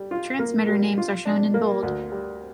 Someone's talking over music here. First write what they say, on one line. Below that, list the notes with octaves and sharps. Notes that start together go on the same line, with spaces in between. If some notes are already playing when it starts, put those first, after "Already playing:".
Transmitter names are shown in bold.
Already playing: G3
F4
A#3
G3
F4
D4
A#3
D2
G3